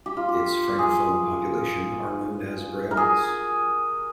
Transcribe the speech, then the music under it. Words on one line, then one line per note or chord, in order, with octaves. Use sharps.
Its Francophone population are known as Brayons.
G4
F4
G4
G#4
A#4
G#4